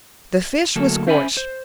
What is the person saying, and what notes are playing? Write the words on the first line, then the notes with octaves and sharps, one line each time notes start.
The fish was scorched.
D2 F#3 A#3 A4
C#4 C5 E5 F#5 G#5 B5
C5